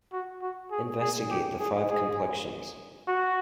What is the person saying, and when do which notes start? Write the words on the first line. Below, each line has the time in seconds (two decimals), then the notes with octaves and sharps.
Investigate the five complexions.
0.13 F#4
0.42 F#4
0.71 G#4
1.01 G#4
1.30 G4
1.60 G#4
1.90 G#4
3.08 F#4